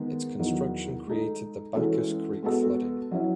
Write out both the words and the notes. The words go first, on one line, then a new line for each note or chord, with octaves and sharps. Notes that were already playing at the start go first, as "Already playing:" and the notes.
Its construction created the Backus Creek Flooding.
Already playing: D#3 G#3 B3
E2 D#3 F#3
G#3 D#4 A4
E3 G#3 C#4 F#4 A4
G#3 B3 F#4 A4
F#3 C#4 E4